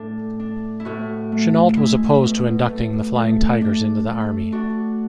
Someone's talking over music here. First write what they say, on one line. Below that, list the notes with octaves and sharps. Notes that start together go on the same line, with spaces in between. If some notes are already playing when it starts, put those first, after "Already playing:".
Chennault was opposed to inducting the Flying Tigers into the Army.
Already playing: A2 D4
D4
E4
A2 F#4
A3
G#3 E4
B2
A3
A3
D4
A3
D4 F#4